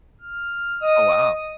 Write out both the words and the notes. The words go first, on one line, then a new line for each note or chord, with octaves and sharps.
Oh, wow.
F6
D#5 D#6